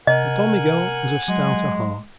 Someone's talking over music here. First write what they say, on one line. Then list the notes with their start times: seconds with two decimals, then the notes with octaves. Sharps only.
But Don Miguel was of stouter heart.
0.07 C3 A#4 D#5 F#5 G#5
1.28 F#3 G#3